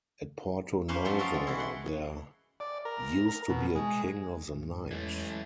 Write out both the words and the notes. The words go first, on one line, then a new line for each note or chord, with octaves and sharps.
At Porto Novo there used to be a King of the Night.
A#3 C#4 B4 C5 F5
F3 F#3 A3 F4
F4 F#4 A4 A#4 D#5 F5
G#3
E3 E4
F#5 C6
D5
A#4
A#4
B2
G#3
G#2
E2 E3 F#3 G#3 A3